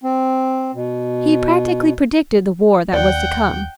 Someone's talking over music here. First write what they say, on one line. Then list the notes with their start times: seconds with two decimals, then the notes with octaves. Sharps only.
He practically predicted the war that was to come.
0.04 C4
0.74 B2
2.93 D#2 D5 F#5 G5